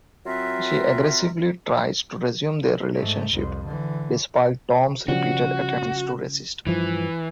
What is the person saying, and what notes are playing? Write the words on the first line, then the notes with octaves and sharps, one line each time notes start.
She aggressively tries to resume their relationship, despite Tom's repeated attempts to resist.
F#3 C4 F4 A#4 B4 E5
G#2 A3
C2 F2
D3 E3
C#3 F3 G3 F#4
G2 E3 F3